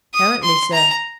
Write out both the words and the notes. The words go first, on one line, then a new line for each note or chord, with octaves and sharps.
"Apparently, sir."
D#6
C6
A#5